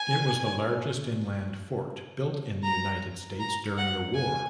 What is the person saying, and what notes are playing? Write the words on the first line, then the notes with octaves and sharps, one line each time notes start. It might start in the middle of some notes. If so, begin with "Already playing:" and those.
It was the largest inland fort built in the United States during the war.
Already playing: G#5
A#5
A#5
F#5
G#5